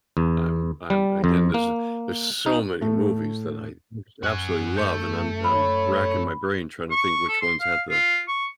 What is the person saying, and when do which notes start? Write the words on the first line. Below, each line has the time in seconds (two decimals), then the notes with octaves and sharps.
I'm I'm again, there's a there's so many movies that I just absolutely love, and I'm I'm racking my brain trying to think which ones had the
0.17 E2
0.90 G3
1.24 F2
1.54 A#3
2.46 D#4
2.81 A2 A3
4.23 F#2 F#4 G#5
4.77 A3 G6
5.44 C#5 B5
6.91 C#6
7.29 A4
7.41 C6
7.60 F5
7.90 F4
8.28 C#6